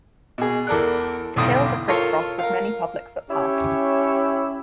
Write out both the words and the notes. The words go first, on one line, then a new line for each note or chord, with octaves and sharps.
The hills are criss-crossed with many public footpaths.
B2 G#4
E2 A4 A#4 D5 F#6
B1 E2 G2 D3 C4 D#6
F4 A4 A#4 C5 C#5
A#4 F5
C#4 E4 G4 C#5